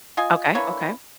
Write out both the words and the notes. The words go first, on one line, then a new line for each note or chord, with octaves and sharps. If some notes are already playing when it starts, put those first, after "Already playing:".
Okay, okay.
F4 D#5 G#5
D3 E3 A#3 C#5